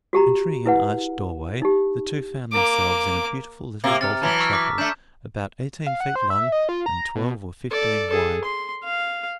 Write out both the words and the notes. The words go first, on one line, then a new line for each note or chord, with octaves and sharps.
Entering an arched door-way, the two found themselves in a beautiful little vaulted chapel, about eighteen feet long and twelve or fifteen wide.
F#4 G4 A#5 B5
E4 B4 F#5
D#4 G4
A#3 D6
C3 A#3
C3 A#5 F6 A6
E3 F#3 A5 A#5 B6
C#6 E6 F6
D6 B6
A3 D4 A5 G6 E7
F5
F#5
C5
E5
D#5
F4
A#5
B2
A4 D5
G#4 A4
C6
F5